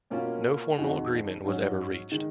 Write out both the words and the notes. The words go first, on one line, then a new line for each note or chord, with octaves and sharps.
No formal agreement was ever reached.
B2 A#3 C#4 F4
F2 D#3 G#3 D#4 F#4
G#2 F#3 C#4
D#3 G#3